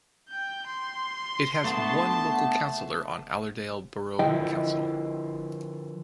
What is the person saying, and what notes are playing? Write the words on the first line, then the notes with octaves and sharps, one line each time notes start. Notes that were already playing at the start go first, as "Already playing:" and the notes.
It has one local councillor on Allerdale Borough Council.
G5 G6
C6
A3 B3 D4 A5
D3 F3 E4 D#5 G5